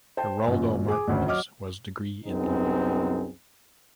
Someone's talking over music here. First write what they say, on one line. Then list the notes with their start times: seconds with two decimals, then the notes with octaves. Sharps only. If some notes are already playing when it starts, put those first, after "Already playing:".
Geraldo Martins was degree in Law.
0.17 C5 G5 A5
0.47 G#1 F#2 A#2
0.88 G#4 G#5 D6
1.08 G#1 D2 C#4 C5
1.26 F#3 C#5 D#5 D6 F6
2.26 C2 F#2 B3 C4 D#4 G#4